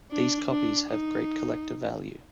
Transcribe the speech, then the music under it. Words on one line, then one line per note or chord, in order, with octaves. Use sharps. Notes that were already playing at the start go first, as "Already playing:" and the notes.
These copies have great collector value.
D4
D4
D#4